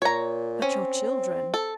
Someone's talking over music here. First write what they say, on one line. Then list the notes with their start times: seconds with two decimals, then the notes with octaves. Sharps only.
"But your children?"
0.02 A#2 C#5 A#5
0.62 C4 C#4
1.54 A4